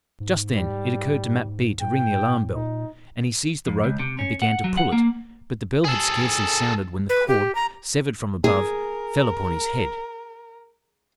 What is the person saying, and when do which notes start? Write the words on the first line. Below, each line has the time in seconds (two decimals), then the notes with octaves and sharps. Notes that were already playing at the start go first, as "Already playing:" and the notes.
Just then, it occurred to Mat Bee to ring the alarm-bell, and he seized the rope, and began to pull it; but the bell had scarcely sounded, when the cord, severed from above, fell upon his head.
0.20 G#2
0.56 G3
1.81 A2 G5
2.54 A#2 D#4
3.66 F2
3.84 C#2
3.99 C3
4.19 C#4
4.42 F#5
4.64 F#3
4.77 F#5
4.92 A#3
5.84 G#4 A4
7.09 B4
7.28 G4
7.55 A#5
8.44 G#4 A#4